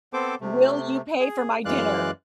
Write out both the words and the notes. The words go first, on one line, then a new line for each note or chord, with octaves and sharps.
"Will you pay for my dinner?"
B3 C4 A4 C5 D6
C3 A3
G#4
F#2 E3 G#3 D5 F5 F#6